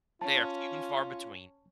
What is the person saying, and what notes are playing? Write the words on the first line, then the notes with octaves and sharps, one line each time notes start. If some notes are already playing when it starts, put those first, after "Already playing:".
they are few and far between.
C#4 F4 A5